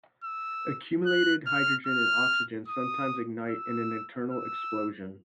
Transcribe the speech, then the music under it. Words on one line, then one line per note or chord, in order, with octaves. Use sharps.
Accumulated hydrogen and oxygen sometimes ignite in an internal explosion.
E6
F#6
F6
F6
D#6
E6
E6